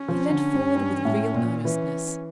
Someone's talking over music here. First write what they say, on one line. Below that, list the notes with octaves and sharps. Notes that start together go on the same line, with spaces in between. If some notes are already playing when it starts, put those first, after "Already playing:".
He leant forward, with real earnestness.
Already playing: C#4
F3
D3
G2
G2
A2
A#2
E3 C#4